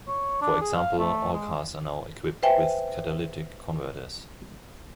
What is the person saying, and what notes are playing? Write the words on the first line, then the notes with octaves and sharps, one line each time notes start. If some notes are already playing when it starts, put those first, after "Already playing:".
For example all cars are now equipped with catalytic converters.
C#5
D4
G#4
F5
A3
G#3
B4 C5 E5 G5 G#5